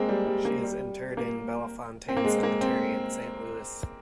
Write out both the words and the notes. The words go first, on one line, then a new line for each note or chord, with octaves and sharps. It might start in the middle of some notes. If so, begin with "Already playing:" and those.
She is interred in Bellefontaine Cemetery in Saint Louis.
Already playing: G#3 A#3 C4
G3
G3
A#3
G3
A#3
C4
A#3
G#3
A#3
C4